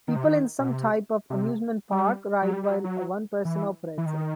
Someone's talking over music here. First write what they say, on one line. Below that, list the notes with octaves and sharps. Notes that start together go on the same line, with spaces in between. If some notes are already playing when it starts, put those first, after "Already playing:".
People in some type of amusement park ride while one person operates it.
D#3
C3
D#3
B2
C3
C3
G3
F#3
G3
G3
F#3
F#3
E3
E3
D#3